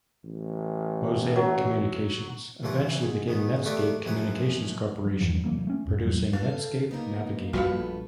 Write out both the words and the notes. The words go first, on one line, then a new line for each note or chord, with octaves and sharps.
Mosaic Communications eventually became Netscape Communications Corporation, producing Netscape Navigator.
A1
F#3
D#2 E3 F#3 G3 F4 A#4
G#2
G#2 D#3 B3
D#3 A3 G4 B4 D5 F5
A#1 F#2 F3 F#3 A#4 B4
F#3
E2 G2 E3 F3
C3 E3 F#3 A#3
A3 C#4
D#1 F2 G#2
G#1 E2 A2 F#3
A4 B4 F5
A#3 B3 D#4 A#4
A#1 G3 A3 F4 F#4 B4 F5